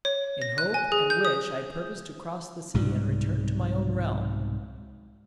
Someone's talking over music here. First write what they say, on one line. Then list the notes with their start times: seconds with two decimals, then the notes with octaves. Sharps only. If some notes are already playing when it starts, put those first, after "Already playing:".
In hope and wish I purpose to cross the sea, and return to my own realm.
0.05 C#5
0.42 A#6
0.58 F#6
0.74 G#5
0.92 G#4
1.10 G6
1.25 D#6
2.74 C2 G#2 B2 G3